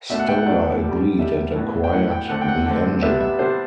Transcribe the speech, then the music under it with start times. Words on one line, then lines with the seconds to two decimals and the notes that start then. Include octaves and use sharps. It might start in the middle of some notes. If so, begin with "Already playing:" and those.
Stolar agreed and acquired the engine.
0.10 B2 A3 D4 E5
0.20 F#5
0.28 G5
0.38 F#5
0.46 B2 A3 D4 D5
0.83 C3 G3 D4
1.19 C3 G3 D4 E5
1.56 A2 E3 B3 D4
1.84 G5
1.92 A2 E3 B3 D4 F#5
2.11 G5
2.29 D3 A3 C4 F#5
2.41 G5
2.48 F#5
2.66 D3 A3 C4
3.02 C3 G3 B3 D4 E5
3.21 E5
3.39 C3 G3 B3 D4 C5